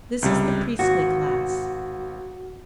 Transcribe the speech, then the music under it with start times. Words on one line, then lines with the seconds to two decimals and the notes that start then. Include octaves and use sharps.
This is the priestly class.
0.23 C#2 C3 G3
0.79 G#1 F#4